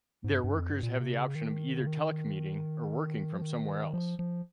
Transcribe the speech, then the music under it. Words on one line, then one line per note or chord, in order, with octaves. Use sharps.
Their workers have the option of either telecommuting or working from somewhere else.
G#2
G2
G2
F2
G2
A#2
C3
C#3
D#3
C#3
D#3
F3
D#3
F3
F3